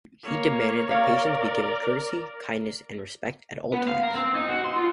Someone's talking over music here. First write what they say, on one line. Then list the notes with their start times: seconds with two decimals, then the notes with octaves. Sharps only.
He demanded that patients be given courtesy, kindness and respect at all times.
0.23 A#3 C#5
0.91 A#4 C#5 D5 F5
3.74 B3
3.88 F5
4.03 A#4
4.15 C4
4.35 D#4
4.48 F#4
4.64 C6
4.76 F4